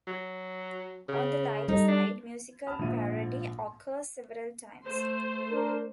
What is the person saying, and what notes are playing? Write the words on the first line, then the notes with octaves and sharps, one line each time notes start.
On the lighter side, musical parody occurs several times.
F#3
C#3
G3 D#4 A4
D4
A5 B5 D#6 F6
A#1 G#2 F3 E5 D#7
A3 C5
D4 A#4